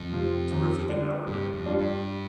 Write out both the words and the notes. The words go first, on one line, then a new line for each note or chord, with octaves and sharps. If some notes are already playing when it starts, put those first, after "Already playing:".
Terrific and Hourman.
Already playing: F2
C3 F3 C4 F4
D#2
D3 G3 D4 G4
G2 C3
F2
G3 D4 F4
G2